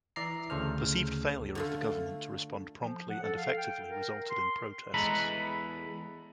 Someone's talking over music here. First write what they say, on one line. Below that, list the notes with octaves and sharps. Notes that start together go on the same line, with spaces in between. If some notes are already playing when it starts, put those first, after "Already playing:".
Perceived failure of the government to respond promptly and effectively resulted in protests.
E3 D5 E5 A#5 C7
D2 C#3 A4 C5 F6
D3 A3 F4
F3
F#5
A4
F5
G5
A#4
C6
E2 G#3 A4 B4 A#5 B5